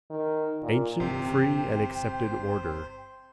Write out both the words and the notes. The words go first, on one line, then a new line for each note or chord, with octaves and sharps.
Ancient free and accepted order.
D#3
A#2
G1 C3 E3 C5 G5